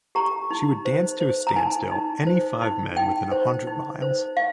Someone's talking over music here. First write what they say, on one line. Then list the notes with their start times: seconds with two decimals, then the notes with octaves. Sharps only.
She would dance to a standstill any five men within a hundred miles.
0.15 G4 A#5
0.51 D#4
0.85 C5
1.20 C5
1.47 A#5
1.56 D#4 G#5
1.91 D#4
2.27 C5
2.62 D#4
2.97 D#4 G5
3.31 C5
3.67 D#4
4.02 C5
4.37 F5